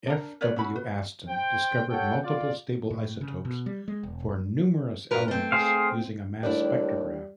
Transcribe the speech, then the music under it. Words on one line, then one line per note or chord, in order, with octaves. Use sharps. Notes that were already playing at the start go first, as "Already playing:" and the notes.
F. W. Aston discovered multiple stable isotopes for numerous elements using a mass spectrograph.
D4 A#4
A#4 B4 C#5 D5
C#4 E4 F#4 B5
B4
C5 G5
G4 A4 C#5 F#5 G5
F4 D5
A2
C#3
B2
G3
G#3
E1
G2 A#4 B4
A3 C4
G#4 C5 F5
D#2 G3 A3 D4 E4 D5